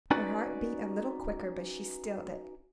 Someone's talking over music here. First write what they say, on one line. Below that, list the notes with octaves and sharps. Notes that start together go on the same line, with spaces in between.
Her heart beat a little quicker; but she stilled it.
C#4 D#4 F#4 B4 D5